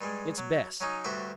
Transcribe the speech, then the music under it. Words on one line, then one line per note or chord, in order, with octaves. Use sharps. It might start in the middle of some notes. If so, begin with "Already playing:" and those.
It's best.
G2 G3 G#3
F#3
F#3 C#4 D#4
D2 G2 F#4 G4 C5 E5